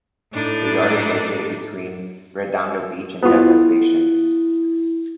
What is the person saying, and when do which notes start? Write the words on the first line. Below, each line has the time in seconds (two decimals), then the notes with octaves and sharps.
The Yard is located between Redondo Beach and Douglas stations.
0.33 A2 D4 D#4 A4
3.23 B3 E4 F4